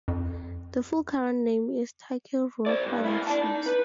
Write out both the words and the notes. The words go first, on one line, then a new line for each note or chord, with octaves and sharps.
The full current name is Taki Rua Productions.
F2
C5 D5
G2
A#3 E4
D5 A5
D#4
B4